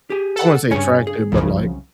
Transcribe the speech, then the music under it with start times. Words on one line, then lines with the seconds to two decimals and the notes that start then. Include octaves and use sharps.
I wouldn't say attractive, but, like
0.10 G4 G#4
0.36 A4 F#5
0.71 G2 C#3 C#5 G#5
1.07 G#4
1.32 C2 F#2 C#3 F3